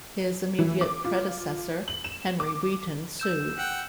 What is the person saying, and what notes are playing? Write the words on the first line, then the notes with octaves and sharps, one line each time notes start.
His immediate predecessor Henry Wheaton sued.
E3
D6
F4
F#7
E7
D6
E6 G6 E7
F#5 G5